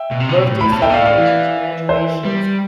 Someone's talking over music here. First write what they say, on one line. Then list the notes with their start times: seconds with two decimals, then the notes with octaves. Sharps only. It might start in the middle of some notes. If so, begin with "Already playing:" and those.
birthday celebrations, graduations,
Already playing: E5 G5
0.11 B2
0.20 C3
0.29 D3
0.37 B2
0.46 A2
0.61 A2 B5
0.72 B2 A5
0.81 A2 E5 G5
0.90 B2
0.94 D5 F5
0.98 A2
1.06 D5 F5
1.17 E3
1.89 C5 E5
2.25 G3